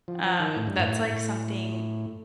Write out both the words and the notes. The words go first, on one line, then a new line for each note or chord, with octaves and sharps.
Um, that's, like, something
F3
F3
D#3
A2
G2
A2
A2